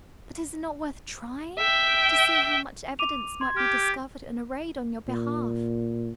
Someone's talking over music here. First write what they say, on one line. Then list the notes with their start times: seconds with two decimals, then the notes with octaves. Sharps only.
'But is it not worth trying, to see how much evidence might be discovered and arrayed on your behalf?
1.59 E5 G5
2.99 D6 D#7 F7
3.41 C6 G#6
3.57 G4 F6
5.09 A#2